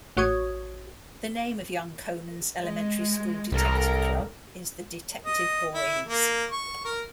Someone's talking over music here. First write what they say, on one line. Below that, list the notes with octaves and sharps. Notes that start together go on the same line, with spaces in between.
The name of young Conan's elementary school detective club is the "Detective Boys".
A1 F#4 C#5 C#6 D#6 G#6
G#3
C2 A4 A#4
D#5
E4
A#3
C#6
A#4